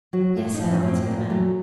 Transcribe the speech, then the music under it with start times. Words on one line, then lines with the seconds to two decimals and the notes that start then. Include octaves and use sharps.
"Yes, sir," answered the man.
0.13 F#3 F#4
0.37 A2 F4
0.54 D#4
0.59 F3
0.71 C#4
0.83 A2
0.88 C4
1.06 A#2 A#3
1.30 F#3 A3